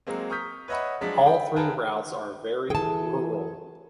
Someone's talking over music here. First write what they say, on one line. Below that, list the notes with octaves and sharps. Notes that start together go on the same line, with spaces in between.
All three routes are very rural.
F#3 G#3 A#3 C4
A#5 C#6 D#6 F6 G6 B6
B4 C#5 D#5 E5 F#5 B5
F3 F#3 G#3 D4 B6
G5 B5
G#4 A#4 B4 G5 A5
E3 G#4 A4 G5 A5